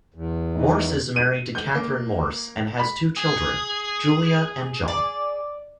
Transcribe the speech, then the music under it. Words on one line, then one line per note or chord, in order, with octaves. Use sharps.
Morse is married to Kathryn Morse and has two children, Julia and John.
E2
D#3 E3 D#4
D#7
G6
A#3
B5
G#4
D5